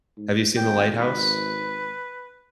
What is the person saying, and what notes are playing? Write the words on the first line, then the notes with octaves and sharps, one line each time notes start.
Have you seen The Lighthouse?
G#2
G#1 G5
B4